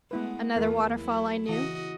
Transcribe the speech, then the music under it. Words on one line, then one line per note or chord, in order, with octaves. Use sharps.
"Another waterfall I knew."
G#3 A3 B3 E4 B4
E2 E3 A#3 F4
F#3 E4
C#3 E3 F#4 D#5